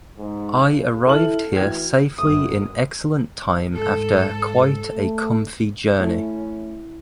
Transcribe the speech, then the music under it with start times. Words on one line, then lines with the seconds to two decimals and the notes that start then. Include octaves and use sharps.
I arrived here safely in excellent time after quite a comfy journey.
0.17 G#2
0.66 C#3
1.07 E4 A4 F6 F#7
1.53 E3 F#4 G5 G#6
2.18 G1 F#2 D#6
3.75 G#2 A4
4.93 A3
6.00 A3 C#4 E4